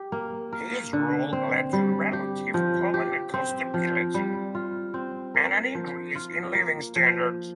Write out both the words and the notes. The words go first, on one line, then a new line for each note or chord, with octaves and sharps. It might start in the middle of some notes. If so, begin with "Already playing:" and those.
His rule led to relative political stability and an increase in living standards.
Already playing: G4
A#3
A#4
D3
C4
G3
G4
F3
G4
C4
F3
G3
F4
C4
A#4
F3
F4
A#3
F3